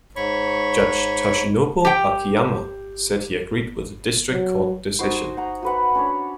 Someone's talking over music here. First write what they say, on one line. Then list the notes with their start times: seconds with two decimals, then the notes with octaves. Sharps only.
Judge Toshinobu Akiyama said he agreed with the District Court decision.
0.16 G#2 C#5 B5 C#6
1.85 G4 G5
4.31 F#3
4.99 D#4 F#4 C5 C6
5.15 G#5
5.36 D#5 F#5 A#5
5.63 F#4 B4 F#5
5.95 C#4 D4 C#5